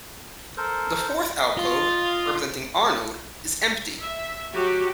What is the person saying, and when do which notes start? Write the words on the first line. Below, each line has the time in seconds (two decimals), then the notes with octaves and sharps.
The fourth alcove, representing Arnold, is empty.
0.57 A4 A#4 C5
1.39 D#5
1.58 F4
4.01 E5
4.52 F#3 F#4 G4